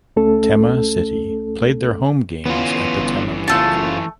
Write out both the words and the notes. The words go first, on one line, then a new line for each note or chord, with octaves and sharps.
Tema City play their home games at the Tema Park.
C#2 A3 C#4 A4
E3 B3 C#4 F4
G1
F#1 F#2 A3 F4 A5